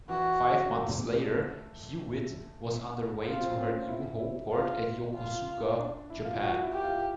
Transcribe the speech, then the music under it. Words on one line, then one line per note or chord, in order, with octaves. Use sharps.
Five months later, "Hewitt" was underway to her new homeport at Yokosuka, Japan.
E3 F#4
A3
F4
C4
C#4
F4
E4
E4
F4
F4
D4
E4
F4
F4 F#4
E4
G4
F4